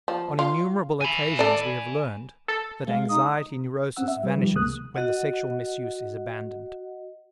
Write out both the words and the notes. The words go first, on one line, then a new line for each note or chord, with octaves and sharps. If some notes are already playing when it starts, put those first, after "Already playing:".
On innumerable occasions we have learned that anxiety neurosis vanishes when the sexual misuse is abandoned.
F3
F4
G#5 B5
A4 D5
A4
G#3 F5
D#4 D#6
C4 C#4 F#5 E6
E5
G3 B4
D#3 F3 G3
C#2 C3 G#3 A#3 D#6 F#6
F#4 D#5 F#5